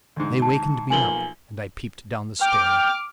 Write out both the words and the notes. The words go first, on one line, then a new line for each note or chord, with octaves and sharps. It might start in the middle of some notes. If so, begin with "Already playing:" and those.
They wakened me up and I peeped down the stair.
D2 G#2
A5
B1 F3 A#3 G#5 F#7 G7
G5 D6 F6